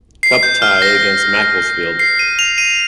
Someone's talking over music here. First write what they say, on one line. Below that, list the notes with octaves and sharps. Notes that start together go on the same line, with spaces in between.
Cup tie against Macclesfield.
C7
G6
F6
A#6
C7
D#7
F7
D#7